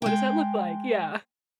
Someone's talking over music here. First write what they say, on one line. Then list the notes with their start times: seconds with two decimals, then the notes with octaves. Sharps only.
What does that look like? Yeah.
0.02 G#3 G5